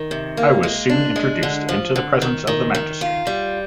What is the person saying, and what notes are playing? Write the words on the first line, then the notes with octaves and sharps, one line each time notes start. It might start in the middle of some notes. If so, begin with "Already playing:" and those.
I was soon introduced into the presence of the magistrate.
Already playing: D#3
C3
A#3
G#3
D4
G#3
D3
F3
D3
D#3
D#3
D#3
F4
G3